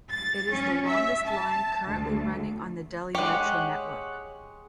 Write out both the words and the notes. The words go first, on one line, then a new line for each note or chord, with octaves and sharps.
It is the longest line currently running on the Delhi Metro network.
A6
C#4
E5
A5
D2
G#3 G4 C#5 F#5